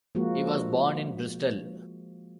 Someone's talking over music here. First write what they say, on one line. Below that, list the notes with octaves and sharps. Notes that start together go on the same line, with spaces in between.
He was born in Bristol.
F3 G#3 A#3 F#4